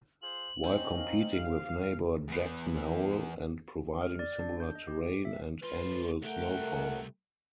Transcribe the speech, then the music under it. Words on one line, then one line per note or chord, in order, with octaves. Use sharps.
While competing with neighbor Jackson Hole and providing similar terrain and annual snowfall.
F4 G#4 C5 F#7
C4 C#4 D#4 C5
A#4 F5
F5
E2 B3
F6
D5
D4
G6
D#5
G4
E5
E3 F4 B4
C2 A3 A#4 F#5 G5